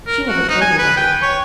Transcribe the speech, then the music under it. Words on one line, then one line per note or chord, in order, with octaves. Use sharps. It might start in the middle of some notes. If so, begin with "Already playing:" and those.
She never told me that.
A#4
F#4
D#4
G#5
B4
G5
C#5